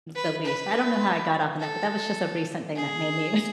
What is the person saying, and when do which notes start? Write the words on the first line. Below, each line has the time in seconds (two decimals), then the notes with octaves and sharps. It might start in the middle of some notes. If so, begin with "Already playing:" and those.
the least. I don't know how I got off on that, but that was just a recent thing that made me
0.15 B4
0.45 B4
1.60 A4
2.77 G#4